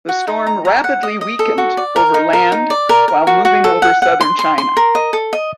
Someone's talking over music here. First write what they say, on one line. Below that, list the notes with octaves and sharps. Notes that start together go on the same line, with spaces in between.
The storm rapidly weakened over land while moving over southern China.
F#4
D#4
A#5
A#5
F#5
D#5
D#5
A4
F#4
D5
A#4
D#4
A#4
D#4
D5
A#4
A#4
F#4
F#4
A4
F#5
F#5
C6
C6
C6
A#4
D#5
A4
D#5